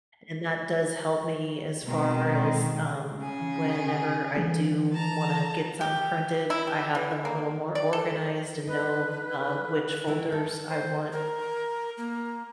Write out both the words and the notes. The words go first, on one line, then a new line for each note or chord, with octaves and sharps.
and that does help me, as far as, um, whenever I do wanna get some printed, I have them a little more organized and know, uh, which folders I want
B2 D#3 G#3 C4
C#3 G#4
E3
A5 A#5
G4
E4
G4
E3
A#3
D5
A4
D#4 B4
D#3 E3 E4
A4
C5
A#4
A#3